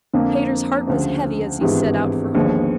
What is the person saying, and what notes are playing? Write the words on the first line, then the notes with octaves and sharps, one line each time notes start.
Peter's heart was heavy as he set out for home.
F2 D3 F3 A#3
D2 C#3 F3
G#1 G2 E3 G#3 B3
D#2 D3 F3 G#3 B3